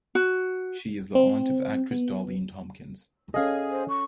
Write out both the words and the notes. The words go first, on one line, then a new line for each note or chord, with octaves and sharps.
She is the aunt of actress Darlene Tompkins.
F#4
C4
B3
C#4 G#4 A4 D#5 F5
C5
C#6